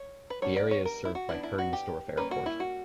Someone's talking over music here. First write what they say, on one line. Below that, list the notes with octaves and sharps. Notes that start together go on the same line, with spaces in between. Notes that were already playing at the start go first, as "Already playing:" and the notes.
The area is served by Heringsdorf Airport.
Already playing: C#5
B4
G3 B3 D4 C#5
D5
C#5
A#4
E4
F#4
E3 B3 D4 E4
E4
F#4
G4
G3 A#3 C#4 B4
F#4
E4
F#4